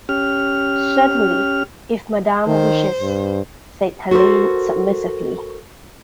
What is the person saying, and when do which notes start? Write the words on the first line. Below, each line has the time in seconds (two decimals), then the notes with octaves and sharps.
"Certainly, if madame wishes," said Helene submissively.
0.09 C#4 G4 F6
2.47 D#3 C5
3.01 G2
4.11 F#4 A4 A#4 C5